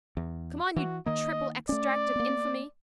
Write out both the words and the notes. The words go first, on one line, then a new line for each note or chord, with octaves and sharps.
Come on, you triple extract of infamy!
E2
E3 F#4
D#3 A#3 D#5
A3 C#4 D5
A#3 B3